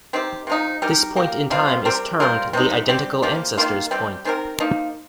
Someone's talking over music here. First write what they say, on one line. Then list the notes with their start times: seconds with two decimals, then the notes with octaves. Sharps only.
This point in time is termed the "identical ancestors point".
0.13 D#3 C4 G4
0.47 C3 F3 D#4
0.82 G3 D#4 G4 A#4
1.16 A#3 G4 A#4
1.50 C3 G3 C4 F4
1.85 G3 C4 G4 A#4
2.20 G3 C4 F4 A#4
2.53 C3 G3 C4 D#4
2.88 G3 C4 G4
3.22 F3 A#3 G4
3.57 D#3 A#3 F4
3.91 G3 C4 G4
4.25 D#3 C4 G4 A#4
4.60 F3 A#3 D#4